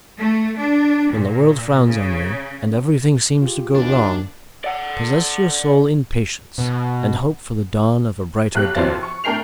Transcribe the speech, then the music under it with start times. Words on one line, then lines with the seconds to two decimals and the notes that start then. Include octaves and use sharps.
When the world frowns on you and everything seems to go wrong, possess your soul in patience and hope for the dawn of a brighter day.
0.18 A3
0.58 D4
1.12 A#2
1.84 C#3
3.42 F4 G4 G#4
3.75 D#2 D4
4.64 D5 F#5
6.58 B2
8.55 B1 G4 F#6
8.75 F2 E3 F#3 C4 F5 A6
9.03 C#6
9.24 A3 D4 A#4 G5 C7 F7